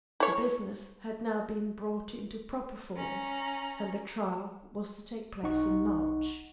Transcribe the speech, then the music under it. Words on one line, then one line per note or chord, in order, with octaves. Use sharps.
The business had now been brought into proper form, and the trial was to take place in March.
E4 C#5
C#4 A#5
B1 D#4 F#5 C#6